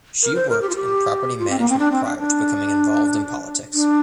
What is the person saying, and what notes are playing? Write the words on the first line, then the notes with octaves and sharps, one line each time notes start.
She worked in property management prior to becoming involved in politics.
A#4
C5
A#4
G4
F4
G4
F4
C4
A#3
C4
D4
C4
D4
D4
D4